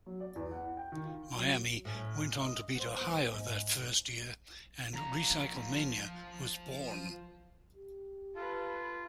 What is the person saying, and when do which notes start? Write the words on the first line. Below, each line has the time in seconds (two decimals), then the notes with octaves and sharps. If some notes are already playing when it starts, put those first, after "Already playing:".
Miami went on to beat Ohio that first year and RecycleMania was born.
0.06 F#3
0.20 D5
0.36 E2
0.51 F#5
0.77 G5
0.92 D#3
1.04 F4
1.36 F#3
1.85 A2 C#4
2.40 D#5
2.75 B3 C5
3.01 B3
3.33 G#2
4.93 F3 A#5
7.76 G4
8.35 F4 A4 B4